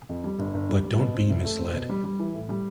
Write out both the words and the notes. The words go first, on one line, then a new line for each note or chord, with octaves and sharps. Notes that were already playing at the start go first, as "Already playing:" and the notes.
But don't be misled.
F2
G3
G1
G1
G3
G3
B2
C4
C2
A3
C4
B2
G3
G3
E3
A2
G3